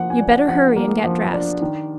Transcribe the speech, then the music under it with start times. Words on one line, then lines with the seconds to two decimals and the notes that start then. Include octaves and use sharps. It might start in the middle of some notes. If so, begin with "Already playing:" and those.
'You'd better hurry and get dressed.
Already playing: F3 A#3 F#5
0.10 G#5
0.20 D4
0.30 F#5
0.48 F3 F#5
0.76 A#3
1.04 F3
1.33 D4
1.62 D#3